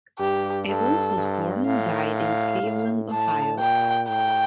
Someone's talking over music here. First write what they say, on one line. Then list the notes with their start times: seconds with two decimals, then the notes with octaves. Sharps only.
Evans was born and died in Cleveland, Ohio.
0.19 G2 G4
0.68 G2 A4
1.16 G2
1.65 A2 F5
2.14 F5
2.63 A2
3.11 A2 A5
3.60 A#2 G5
4.09 A2 G5